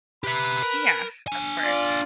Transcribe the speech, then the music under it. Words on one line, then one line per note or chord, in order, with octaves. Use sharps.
Yeah, of course.
G4 B4 E5 B5
A#4
D4 G#5
F4 D5